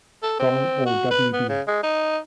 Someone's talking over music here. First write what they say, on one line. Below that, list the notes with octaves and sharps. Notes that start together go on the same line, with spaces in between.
Strong or W. B.
A4
C4
F#4
B4
B3
C#3
G#3
D#4